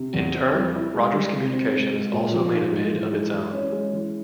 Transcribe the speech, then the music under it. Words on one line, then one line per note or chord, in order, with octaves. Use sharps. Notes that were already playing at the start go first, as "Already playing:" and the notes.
In turn, Rogers Communications also made a bid of its own.
Already playing: C3
E2
C4
G3
E4
G#3
G3
C3
C4
G#3
G#3
A#2
F3
G#2
G#3
E3
G#3
E3
C#4
G#3
E3